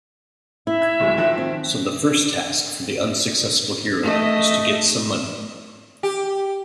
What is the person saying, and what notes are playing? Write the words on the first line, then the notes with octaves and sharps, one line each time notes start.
So the first task for the unsuccessful hero is to get some money.
E4 E5
G#6
D1 F#3 G#3
D#3 F3 F#6
C4
A3 D#5
G4